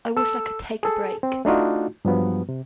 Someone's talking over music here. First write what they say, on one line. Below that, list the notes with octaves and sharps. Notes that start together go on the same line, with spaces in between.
I wish I could take a break.
A4 E6
G#4 A4
C4
A3 D4 D#4 F4 F#4
G2 F3 F#3 B3
C3